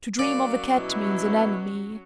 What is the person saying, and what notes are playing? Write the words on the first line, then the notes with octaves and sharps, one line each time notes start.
To dream of a cat means an enemy.
F#3 A#3 C#4 D5
B2 E4